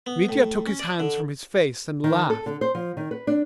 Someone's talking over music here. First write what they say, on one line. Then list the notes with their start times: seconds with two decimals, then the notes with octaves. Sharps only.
Mitya took his hands from his face and laughed.
0.06 B3
0.29 A2
0.67 C#4
0.79 D5
1.00 D3
2.04 D#3
2.30 A4
2.46 D3
2.61 C5
2.75 F3
2.97 D#3
3.11 B4
3.27 D4